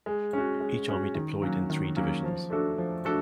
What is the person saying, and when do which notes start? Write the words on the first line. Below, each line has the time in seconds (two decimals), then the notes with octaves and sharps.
Each army deployed in three divisions.
0.06 G#3
0.33 C#4 F#4
0.60 G#3
0.88 C#4 F#4
1.15 D#3
1.42 F#3 A#3 C#4
1.70 D#3
1.96 F#3 A#3 C#4
2.24 F3
2.50 A3 D4 F#4 A4
2.78 F3
3.05 A3 D4 F#4 A4